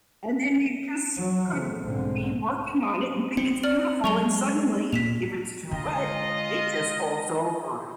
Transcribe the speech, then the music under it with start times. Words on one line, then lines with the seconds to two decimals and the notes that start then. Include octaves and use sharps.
and then you just could be working on it and think it's beautiful and suddenly, if it's too wet, it just falls over
1.19 F#3
1.51 C#3 E3 A3 C4
1.80 B1 G#2 D3 C4
3.37 C4 C#7
3.64 D5 F6 F#7
4.04 F#3 G#3 C#6 F7 G7
4.92 A#2 B6 E7 F7
5.71 D3 G#3 F4 D#5